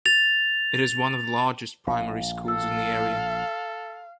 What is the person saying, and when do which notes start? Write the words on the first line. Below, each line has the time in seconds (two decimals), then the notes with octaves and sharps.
It is one of the largest primary schools in the area.
0.06 A6 F7
1.87 A#1 F5
2.48 A4 F5 E6